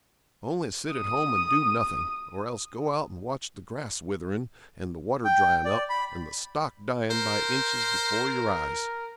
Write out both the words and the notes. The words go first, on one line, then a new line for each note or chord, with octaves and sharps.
Only sit at home and do nothing, or else go out and watch the grass witherin' and the water dryin' up, and the stock dyin' by inches before your eyes.
D#6
G5
D5
B5
A#4 C5